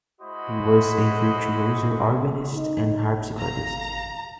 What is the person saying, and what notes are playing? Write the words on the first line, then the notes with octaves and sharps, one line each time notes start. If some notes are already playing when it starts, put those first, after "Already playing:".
He was a virtuoso organist and harpsichordist.
G#3 E4 F#4 C5 D#5 B5
D#4
F5 A#5